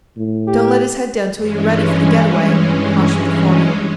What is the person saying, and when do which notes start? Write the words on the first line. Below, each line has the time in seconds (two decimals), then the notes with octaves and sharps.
"Don't let his head down till you're ready for the get-away," cautioned the foreman.
0.17 A2
0.47 G4
1.36 G2 E3 G#3 C#4